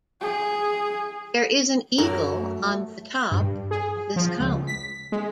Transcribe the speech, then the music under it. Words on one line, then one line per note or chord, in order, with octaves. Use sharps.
There is an eagle on the top of this column.
G#4
F#2 F#3 A4 A#4
A3
G2
G#4
F3
C#2
B6
G#3